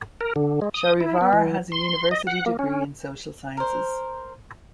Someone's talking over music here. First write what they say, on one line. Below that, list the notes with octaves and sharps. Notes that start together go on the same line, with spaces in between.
Shahrivar has a university degree in social sciences.
A#4
D3
G#3
D#6
E4
B3
E3
C6
D#5
F#5
A#3
C#4
A#4 C5